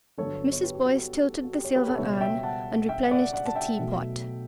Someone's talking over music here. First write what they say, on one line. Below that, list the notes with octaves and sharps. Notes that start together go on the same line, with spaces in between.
Mrs. Boyce tilted the silver urn and replenished the tea-pot.
G1 G2 F#3 B3 A4 C#5
C#5
G4 B4
G4
F#4
G4
F#4
G4
C#5
G4 B4
A4 C#5
C#2 B2 G3 B3 C#5 E5
E5 G5
F#5 A5
E5 G5
D5 F#5
D5 F#5
A5
E5 G5
B1 B2 F#3 A3